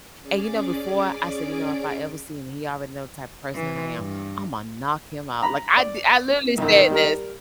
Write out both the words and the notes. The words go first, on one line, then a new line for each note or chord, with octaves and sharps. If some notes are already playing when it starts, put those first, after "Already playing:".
And, you know, before I said, "You know, if I ever see him," he already know the type of person that I am. "Imma knock him out." Like, I d I literally said this,
C#4 G#4 D5 D6
E3
G2
A#5 B5
D5
C2 F#2 D#3
G3 A#4